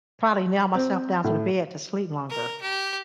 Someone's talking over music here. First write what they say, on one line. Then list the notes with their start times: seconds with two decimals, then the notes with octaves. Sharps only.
probably nail myself down to the bed to sleep longer.
0.75 C4
1.24 A2
2.30 A#4
2.62 G4